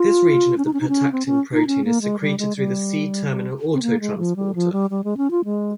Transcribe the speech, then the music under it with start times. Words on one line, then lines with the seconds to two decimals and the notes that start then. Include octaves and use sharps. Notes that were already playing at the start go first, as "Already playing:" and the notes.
This region of the pertactin protein is secreted through the C-terminal autotransporter.
Already playing: F4
0.58 C#4
0.65 D#4
0.74 C#4
0.81 D#4
0.88 C#4
1.12 C4
1.26 C#4
1.53 D#4
1.67 C#4
1.85 A#3
2.02 G#3
2.20 G3
2.39 G#3
2.56 G3
3.74 C4
3.82 A#3
4.01 G#3
4.18 F3
4.36 G3
4.55 F3
4.72 G3
4.90 G3
5.04 G#3
5.17 C#4
5.31 F4
5.45 G#3